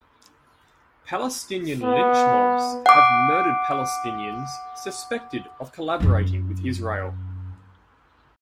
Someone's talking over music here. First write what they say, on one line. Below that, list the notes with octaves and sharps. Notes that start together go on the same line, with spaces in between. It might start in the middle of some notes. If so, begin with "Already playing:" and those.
Palestinian lynch mobs have murdered Palestinians suspected of collaborating with Israel.
B3
F#5 D6
F#2 E4